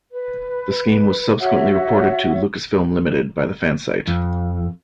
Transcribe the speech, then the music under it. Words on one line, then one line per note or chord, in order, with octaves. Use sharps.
The scheme was subsequently reported to Lucasfilm Limited by the fan site.
B4
F#4 C#5 E5 F#5
F2